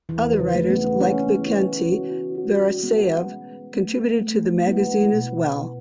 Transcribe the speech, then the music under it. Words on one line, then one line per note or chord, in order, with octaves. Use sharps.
Other writers like Vikenty Veresayev contributed to the magazine as well.
E2 E3
C#3
A3
B3
C#4 E4
E4
F#4
F#4
G#3 B3
G#3
A3
A3
B3 E4
B2